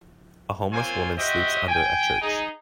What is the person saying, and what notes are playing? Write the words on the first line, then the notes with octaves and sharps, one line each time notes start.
A homeless women sleeps under a church.
A#3 C4 F4 C5 C#5 G#5
F#4 G4 C5 D#5 E5 G5
G5 G#5
D#4 G#4